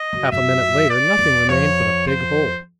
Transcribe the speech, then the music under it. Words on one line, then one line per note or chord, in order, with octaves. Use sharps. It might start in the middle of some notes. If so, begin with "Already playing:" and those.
Half a minute later nothing remained but a big hole.
Already playing: D#5
F#2
F#2 E5
D5
E2
F2 C#5
C5